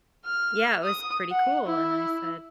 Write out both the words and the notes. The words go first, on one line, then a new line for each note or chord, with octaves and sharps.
Yeah. It was pretty cool, and I said,
F6
D#6
F#5
E4